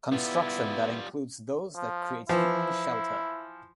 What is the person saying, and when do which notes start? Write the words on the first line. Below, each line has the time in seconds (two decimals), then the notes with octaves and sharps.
Construction that includes those that create human shelter.
0.12 G3 B3 E4 F4
1.75 F3
2.29 E3 F3 E4